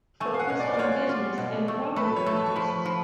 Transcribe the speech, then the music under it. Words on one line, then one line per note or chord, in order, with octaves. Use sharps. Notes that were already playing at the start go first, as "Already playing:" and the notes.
Focused on business and property interests.
A3 G#5
F5
F#5
B2
D5
D5
F4 C#5
F4
B2
A3
A3 B4
C#5
A3
A5
C#6
F3 B5
F3